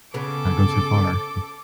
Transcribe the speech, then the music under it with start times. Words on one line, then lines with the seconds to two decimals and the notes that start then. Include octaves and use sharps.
not go too far. Yeah.
0.14 C#3 B3 A4 D6